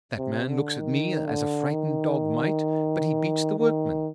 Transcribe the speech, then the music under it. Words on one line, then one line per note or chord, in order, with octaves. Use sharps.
That man looks at me as a frightened dog might, but he beats the workmen.
C3
D3
D#3
D3
D#3
D#3